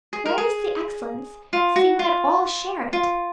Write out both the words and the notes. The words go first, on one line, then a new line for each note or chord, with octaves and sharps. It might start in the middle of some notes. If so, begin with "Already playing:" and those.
Where is the excellence, seeing that all share it?
G#4
A#4
G#4
F4
F#4
F4
F4